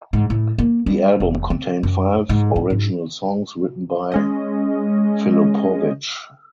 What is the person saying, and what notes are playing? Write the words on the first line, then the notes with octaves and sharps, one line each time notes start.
The album contained five original songs written by Filipowicz.
G#2
A2
A#3
G3
F1
C4
F#2
G#2
G#2
G#2
G#3 C#4 D#5